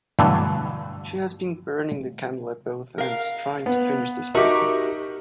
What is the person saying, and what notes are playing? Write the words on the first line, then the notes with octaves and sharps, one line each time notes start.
She has been burning the candle at both ends trying to finish this paper.
G2 B2 D3 E3 F#3 A3
A#4 F5
B3 B4
D#4 F#4 G4 A#4 E5